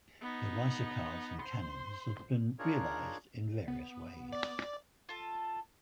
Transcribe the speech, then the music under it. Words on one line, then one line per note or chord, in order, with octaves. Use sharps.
The ricercars and canons have been realised in various ways.
B3 D#4
C5 C6
D4 D#4 F4 G#4 A#4 C#5
B3
D5
F4 A4